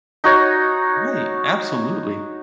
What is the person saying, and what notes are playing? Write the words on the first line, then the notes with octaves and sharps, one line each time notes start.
Right, absolutely.
D#4 F#4 C#5